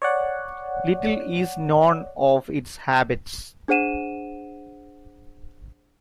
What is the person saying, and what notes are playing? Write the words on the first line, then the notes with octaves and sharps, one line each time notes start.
Little is known of its habits.
C#5 D5 F#5
D4 G#4 C5 F#5 D#7 E7